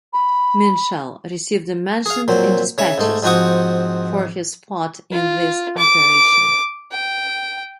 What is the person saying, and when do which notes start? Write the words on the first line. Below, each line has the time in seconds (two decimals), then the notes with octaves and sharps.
Minshall received a "Mentioned in Despatches" for his part in this operation.
0.13 B5
2.06 G#4 F5
2.28 A#2 F#3 C4
2.78 C#3 C#5 E5 G#5
2.98 G#2 G#3 A3
3.23 G#2 F3 C4 F#4 C#6 D#6
5.12 F4
5.78 D6
6.91 G5